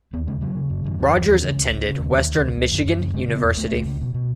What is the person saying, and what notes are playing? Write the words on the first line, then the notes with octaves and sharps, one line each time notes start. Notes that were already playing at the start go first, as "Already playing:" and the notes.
Rogers attended Western Michigan University.
D#2 B3
C#3 G#3
C#3 F#3
C#3
F#2
F#2 D#3
D#2 E3
D#2
D#2
C#3
C#2
C#2
C#3
D#2
D#2
C#2
C#2
C#2
F#2 D#3
F#2
E3
C#3
C#3 G#3
C#3
B3
E2
C#2 A3
C#2
C#3
B2
B2